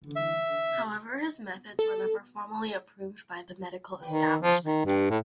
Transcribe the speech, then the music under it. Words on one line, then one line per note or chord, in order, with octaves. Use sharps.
However, his methods were never formally approved by the medical establishment.
E5
A4
D#3
F3
D#3
G2
A2